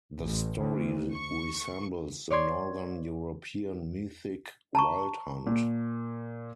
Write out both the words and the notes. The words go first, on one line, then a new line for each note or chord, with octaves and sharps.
The story resembles the northern European mythic Wild Hunt.
A1
D2
C#6
C#5 D5 C6 G#6
A5 A#5 C#6
A#2